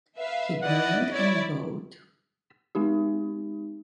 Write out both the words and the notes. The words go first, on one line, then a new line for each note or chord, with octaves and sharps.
He grinned and bowed.
B4 E5 F5
E4 D5 D#5 F#5
E4 C#5 D5
G#3 C4 D#4 G4